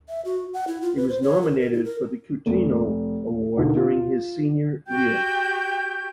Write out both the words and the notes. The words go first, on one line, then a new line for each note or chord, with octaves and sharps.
He was nominated for the Cutino Award during his Senior year.
E5
F#4
F#5
E4
F4
B4
C5
C#5
A#4
A#4
E4
A#4
F1
D#2 B2 D3 A#3 B3 D#4
F4
F#4 G4 G5 G6